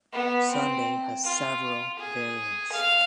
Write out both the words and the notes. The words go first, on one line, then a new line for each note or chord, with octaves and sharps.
Sunday has several variants.
B3
C4
F4
G#4
F5